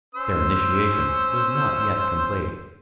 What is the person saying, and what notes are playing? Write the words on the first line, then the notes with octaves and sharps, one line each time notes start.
Their initiation was not yet complete.
C#4 C5 E6